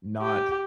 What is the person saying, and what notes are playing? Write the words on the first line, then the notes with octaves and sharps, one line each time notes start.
not v
G4